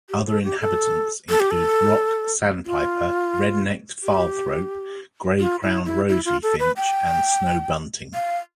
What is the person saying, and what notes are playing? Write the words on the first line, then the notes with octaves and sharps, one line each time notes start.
Other inhabitants include rock sandpiper, red-necked phalarope, gray-crowned rosy finch and snow bunting.
G4
A4
G4
A4
A4
G4
A4
F4
G4
F4
E4
E4
E4
F4
A4
B4
G5
F5